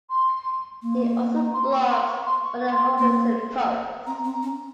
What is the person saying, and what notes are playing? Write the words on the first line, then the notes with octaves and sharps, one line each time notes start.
He also blogs for the "Huffington Post".
C6
A#3
A#5
C6
C#6
C6
C#6
C6
C#6
C6
A#3
C4 A#5
C4
A#5
C#4